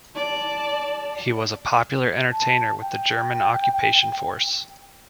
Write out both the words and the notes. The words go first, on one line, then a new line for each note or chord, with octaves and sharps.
He was a popular entertainer with the German occupation force.
D5 A5
A5
G5